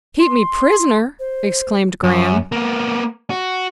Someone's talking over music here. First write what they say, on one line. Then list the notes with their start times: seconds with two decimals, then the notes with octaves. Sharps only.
"Keep me prisoner!" exclaimed Graham.
0.19 C6
1.19 C5
2.03 F#2
2.52 A#3 B3
3.30 F#4